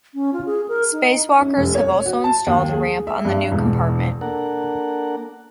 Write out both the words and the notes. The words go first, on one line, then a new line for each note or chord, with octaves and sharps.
Spacewalkers have also installed a ramp on the new compartment.
C#4
F4
G#4
A#4
D#4
C#4
F1
C#5
F#4
A5
D#2
G#4
E5
G2
E1
A#3 D4 A4 A#4 F#5